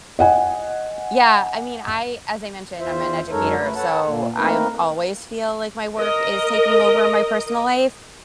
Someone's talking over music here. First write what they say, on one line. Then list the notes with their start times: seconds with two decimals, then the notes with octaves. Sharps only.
Yeah, I mean, I As I mentioned, I'm an educator, so, I've always feel like my work is taking over my personal life,
0.19 D#5 F#5 G#5
2.79 E2 F4 C5 E5
3.30 F#2 G#3 D#4 A4 A#4 C#5
3.59 A3 B4
3.75 A4 B4 C#5 F#5 A5
4.06 A#2 A#3
4.36 A3 A#3 C4 D#4 A#4 B4
6.00 A#4 D#5